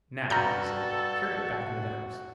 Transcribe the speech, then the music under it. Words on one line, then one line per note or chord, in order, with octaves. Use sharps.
"Now," I said, "carry it back into the house."
G2 F#4 A4 A#5 F6 G6